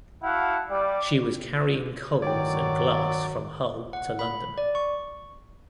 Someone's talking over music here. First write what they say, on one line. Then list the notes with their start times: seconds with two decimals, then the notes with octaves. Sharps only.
She was carrying coals and glass from Hull to London.
0.23 E4 F#4 F5 F#5 A5
0.70 G3 D5
2.22 G2 D#3 F#3 C#5 D5 G5
3.93 F#5
4.19 B5
4.58 D5
4.75 C#6